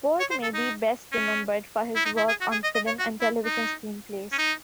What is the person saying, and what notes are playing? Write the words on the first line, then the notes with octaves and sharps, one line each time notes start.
Bolt may be best remembered for his work on film and television screenplays.
C#5
C5
A4
D#4
C#4
E4
D#4
E4
G#4
F#4
G#4
D#5
D#5
C#5
F#4
E4
D#4
C#4
D#4